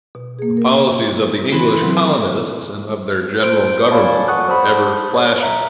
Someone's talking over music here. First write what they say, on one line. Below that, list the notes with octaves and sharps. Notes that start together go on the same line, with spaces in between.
The policies of the English colonists and of their general government were ever clashing.
B2
A#3 G#4
A#4
E3 B4 C6
C3 F#3 C4
C5 D7
C#5 D5 F5 G#5 A5 B5
F#5 C#6 D#6 F#6
C5 A5 B5
C#5
E5 A#5